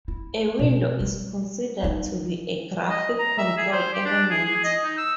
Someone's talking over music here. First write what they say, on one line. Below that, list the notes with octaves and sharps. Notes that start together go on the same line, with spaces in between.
A window is considered to be a graphical control element.
E4
B2
G3
G3 D#4
D#5
A#5
E5
G#4
C5
G4
D4
G#4
G#4
D#5
D#4
E6